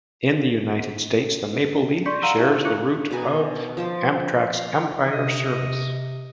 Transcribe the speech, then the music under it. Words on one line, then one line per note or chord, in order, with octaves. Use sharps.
In the United States, the Maple Leaf shares the route of Amtrak's "Empire Service".
D5 C6 C#6 G6 B6 C#7
F5 F#5 A#5 C6 E6 F6
D#4 E4 G4 C5 E5 F5
E4 F4 C#6 D6 F#6 C#7
B2 D#4 B4 G#5
F3 C5 A5
F5
C3 D#5